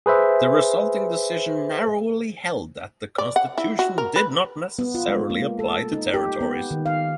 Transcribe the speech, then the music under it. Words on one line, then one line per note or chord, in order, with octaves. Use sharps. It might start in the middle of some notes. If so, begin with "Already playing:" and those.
The resulting decision narrowly held that the Constitution did not necessarily apply to territories.
G#4 B4 C5 E5
D5
F#5
E4
F#4
A#4
B4
B3
F4
G#3
A#3
A4
D#4
G4
B3
D#3
F5